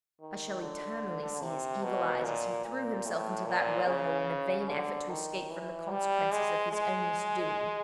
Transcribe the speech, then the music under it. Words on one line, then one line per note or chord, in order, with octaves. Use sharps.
I shall eternally see his evil eyes as he threw himself into that well-hole in a vain effort to escape from the consequences of his own misdoing.
D#3
D3
C3
B2
A#2
A#2
A2
A#2
C#3
D3
D#3
E3
G3
G#3
G#3